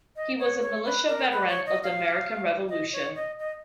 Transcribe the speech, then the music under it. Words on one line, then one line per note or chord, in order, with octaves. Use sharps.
He was a militia veteran of the American Revolution.
D#5
C#5
C#5
B4
A#4
B4
C#5
D#5
F5
D#5
C#5
D#5
D#5